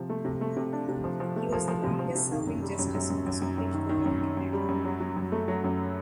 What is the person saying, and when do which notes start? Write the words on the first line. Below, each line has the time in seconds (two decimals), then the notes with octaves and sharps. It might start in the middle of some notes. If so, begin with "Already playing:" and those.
He was the longest serving justice of the Supreme Court of Canada.
Already playing: C3 F3
0.09 A3
0.25 C3
0.41 A3
0.56 C3
0.73 D4
0.88 C3
1.04 F3
1.20 F3
1.36 A3
1.52 F3
1.68 F3
1.83 C3
1.99 F3
2.15 C3
2.31 D#3
2.47 F#2
2.62 G3
2.79 F#2
2.95 F#2
3.10 F#2
3.26 F#2
3.42 F#2
3.58 F#2
3.74 D#3
3.89 D#3
4.06 F#2
4.21 D#3
4.37 F#2
4.53 G3
4.68 F#2
4.85 F#3
5.00 F#3
5.16 F#2
5.32 A3
5.48 F#3
5.64 F#2